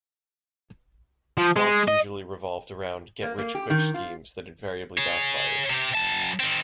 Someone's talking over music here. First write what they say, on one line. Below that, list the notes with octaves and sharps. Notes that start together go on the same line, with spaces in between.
Plots usually revolved around "get rich quick" schemes that invariably backfired.
F3
G#3
D#5
A#3
A#3
G4
D#3
F4
G#4 C#5
C3 G4
F#2 A5
D#3 C4